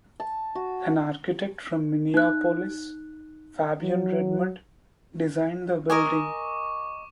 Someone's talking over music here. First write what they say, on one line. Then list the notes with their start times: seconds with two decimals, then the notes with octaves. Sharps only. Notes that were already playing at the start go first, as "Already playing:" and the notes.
An architect from Minneapolis, Fabian Redmond, designed the building.
0.20 A5
0.55 F#4
2.14 D#4 F#6
3.82 F#3
5.90 A#4 D#5 G#5 C#6 D6